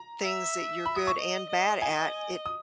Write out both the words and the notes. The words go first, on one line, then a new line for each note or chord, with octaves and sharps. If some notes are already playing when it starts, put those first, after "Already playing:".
things that you're good and bad at it
Already playing: A#5
E5
B5
D#6
C#6
D#5
D#5
D#5 G#5
D#6